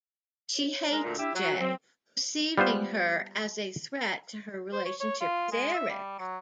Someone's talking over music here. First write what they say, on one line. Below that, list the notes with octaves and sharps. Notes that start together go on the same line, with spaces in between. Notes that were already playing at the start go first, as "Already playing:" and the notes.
She hates Jaye, perceiving her as a threat to her relationship with Eric.
C#5
G#3 A#4
D2 A#2
D4 E4 G4 E5
F#3 F#4
F#3 C4
G3 B3 F4 C5
C5
C#5
C#5
F4
G#3
E5
G3
F#3